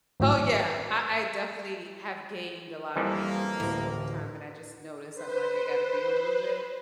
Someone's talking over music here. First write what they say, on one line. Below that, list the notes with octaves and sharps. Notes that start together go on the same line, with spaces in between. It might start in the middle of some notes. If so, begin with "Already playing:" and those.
Oh yeah, I I definitely have gained a lotta patience over time and I just noticed, I'm like, "I gotta be a little bit
G#1 A2 F#3
F2 E3 F3 G3 A#3
A1 D2 A2
B4 C5